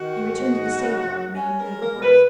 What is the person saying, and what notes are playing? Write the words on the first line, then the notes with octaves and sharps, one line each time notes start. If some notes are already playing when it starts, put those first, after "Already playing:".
He returned to the stable and remained near the horse.
Already playing: D#3 F#4
G#2
D#4
C#3
F#2
C#4
G#3 A#4
A#4
B2
B4